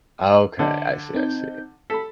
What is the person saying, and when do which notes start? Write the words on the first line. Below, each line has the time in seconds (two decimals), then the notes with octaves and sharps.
Okay. I see, I see.
0.59 D3
1.14 C4 D#4 G6
1.90 A4 B5 B6